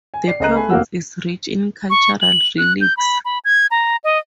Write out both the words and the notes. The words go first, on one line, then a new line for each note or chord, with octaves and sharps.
The province is rich in cultural relics.
G#5
D5 C7
C#2 A4 D#5 A#5 F#6
A3 G#5 B5
F1 A#3 F#4 F#5 E6
C#6
F#7
F#6
G6
B5
B5
G#6
A#5
D#5